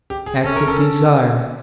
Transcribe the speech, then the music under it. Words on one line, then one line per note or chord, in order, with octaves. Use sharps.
Act of Desire.
G4
G#4
C#4 A4
A#4
A4